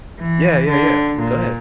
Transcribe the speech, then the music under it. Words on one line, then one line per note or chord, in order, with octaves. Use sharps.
Yeah, yeah, yeah. Go ahead.
E3
D3
A#2